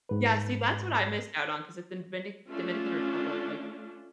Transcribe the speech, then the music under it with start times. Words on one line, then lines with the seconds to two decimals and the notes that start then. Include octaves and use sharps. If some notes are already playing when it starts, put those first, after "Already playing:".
Yeah, see, that's what I missed out on 'cause at then Venic Dominican Republic, like,
0.09 G#2 B4
2.51 A3 C#4 D4 F4